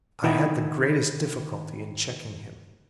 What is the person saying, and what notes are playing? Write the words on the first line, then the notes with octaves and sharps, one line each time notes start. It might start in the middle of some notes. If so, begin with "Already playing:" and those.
I had the greatest difficulty in checking him.
D#3 E4 D#5 E5 F#5 G5